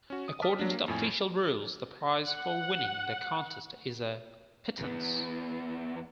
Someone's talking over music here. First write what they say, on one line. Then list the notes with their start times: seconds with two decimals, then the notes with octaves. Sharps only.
According to the official rules, the prize for winning the contest is "a pittance".
0.10 C#4 F#4
0.28 D#6
0.42 A5 D6 D#6 F6 B6
0.59 F#3 A#3 D4
0.73 A#3
0.88 F2 A2 G#5
2.26 F#5
4.79 E2 B3